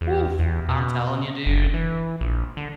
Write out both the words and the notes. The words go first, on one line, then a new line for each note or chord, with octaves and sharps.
Oof! I'm telling you, dude,
E2
E2
B2
F#1
E3
A#1
D3